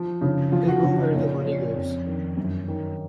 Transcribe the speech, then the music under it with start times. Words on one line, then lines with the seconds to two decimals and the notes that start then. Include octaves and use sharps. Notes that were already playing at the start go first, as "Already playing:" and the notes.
They go where the money goes.
Already playing: F3
0.21 C#3
0.52 F3 F4
0.68 F#4
0.83 C#3 F#4
0.98 D#4
1.14 A#2 C#4
1.45 F3 C#4
1.75 F2
2.07 D#3
2.37 F#2
2.68 D#3